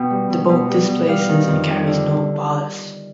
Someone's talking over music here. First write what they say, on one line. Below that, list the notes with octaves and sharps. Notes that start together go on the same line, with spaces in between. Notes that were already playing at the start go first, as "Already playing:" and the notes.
The boat displaces and carries no ballast.
Already playing: B2 G5
G3
B2
B2
G3
B2
G3 F5
D#3
F2
G3
D3